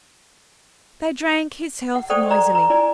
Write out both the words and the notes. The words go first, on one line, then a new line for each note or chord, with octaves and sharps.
They drank his health noisily.
F#5
A4 C5 D5 G5 C#6 D#6
D5 A#5
A#5
E4 D5 G#5